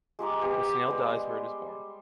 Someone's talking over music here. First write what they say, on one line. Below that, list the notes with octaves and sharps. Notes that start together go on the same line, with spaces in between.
The snail dies where it is born.
G#3 G4 A#5 D6
B3 G4
G3 G#3 B4
C6